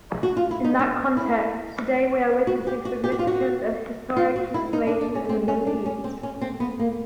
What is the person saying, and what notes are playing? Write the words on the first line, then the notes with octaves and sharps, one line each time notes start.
In that context, today we are witnessing significant and historic transformation in the Middle East.
F#4
F4
E4
D#4
D4
E4
F#4
G4
F#4
G4
F#4
F4
F#4
F4
F#4
E4
D#4
D4
D4
C#4
C4
C#4
D4
C#4
C4
C#4
C4
B3
A#3